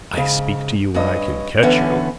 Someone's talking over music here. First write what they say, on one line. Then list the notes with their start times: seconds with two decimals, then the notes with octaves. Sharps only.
I speak to you when I can catch you.
0.13 G#2 C#3
0.94 G2 C#4 D#5
1.62 D3 E3 B3 C#4 G#5